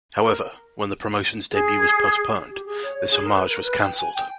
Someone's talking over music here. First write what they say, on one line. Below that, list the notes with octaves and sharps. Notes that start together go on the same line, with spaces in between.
However, when the promotion's debut was postponed, this homage was cancelled.
A#4
G#4
G4
G#4
C#5
C#5
G#4
A#4
B4
A#4
B4
G5
G#5
G5